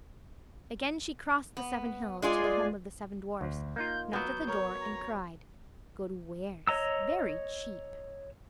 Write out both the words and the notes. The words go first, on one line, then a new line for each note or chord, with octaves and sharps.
Again she crossed the seven hills to the home of the seven dwarfs, knocked at the door, and cried, "Good wares, very cheap!"
B3
G#3 F4 G#4 D5 G#5
D2
A#3 D#4 F4 G6
F#3 B3 G6
A#4 C#5
A#5
C#5 D#5 A#5 E6